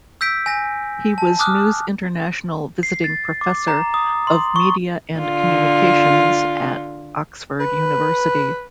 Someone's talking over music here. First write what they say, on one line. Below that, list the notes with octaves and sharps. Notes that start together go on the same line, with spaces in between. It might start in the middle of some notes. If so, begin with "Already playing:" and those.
He was News International Visiting Professor of Media and Communications at Oxford University.
E6 G6 B6 D7
G#5 A#6
A5
D6 D#6 F6 F#6
C7
A6
D6
A#5
D#6
C6
C#6
D3 F4
B4